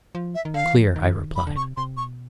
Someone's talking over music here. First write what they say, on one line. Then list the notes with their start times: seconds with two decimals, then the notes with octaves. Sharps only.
"Clear," I replied.
0.15 F3
0.35 E5
0.45 D#3
0.54 D3 F5
0.64 E3
0.75 F3
0.85 E3
0.96 D#3
1.05 E3
1.15 D3
1.27 D#3
1.36 D3 B5
1.47 D3
1.56 C3 C#6
1.77 C3 C6
1.97 B2 C#6